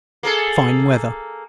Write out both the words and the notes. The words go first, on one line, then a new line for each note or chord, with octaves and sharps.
Fine weather.
A#3 G#4 A4